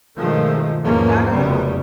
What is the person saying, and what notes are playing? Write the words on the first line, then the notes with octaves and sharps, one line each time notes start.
Not at all.
G2 B2 D#3 F3 G#3 A3
E2 G#2 F3 A#3 B3 C#4
F1 C#2 F#2 C#3 G3 B3